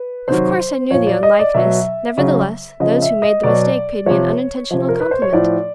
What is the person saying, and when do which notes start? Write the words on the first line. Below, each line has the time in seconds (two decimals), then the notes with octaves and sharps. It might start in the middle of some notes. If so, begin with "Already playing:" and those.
Of course I knew the unlikeness; nevertheless, those who made the mistake paid me an unintentional compliment.
Already playing: B4
0.28 C3 D#3 F#3 C5
0.91 A#2 F3 C#5
1.07 D5
1.23 D#5
1.39 D5
1.54 B2 F#3 E5
2.18 C#3 F#3
2.80 C#3 F3 D#5
3.02 E5
3.22 D#5
3.43 B2 F#3 D5
4.06 C3 F3 C#5
4.71 C3 F3
4.89 A#4
5.00 B4
5.11 C5
5.22 C#5
5.33 A2 F3 D5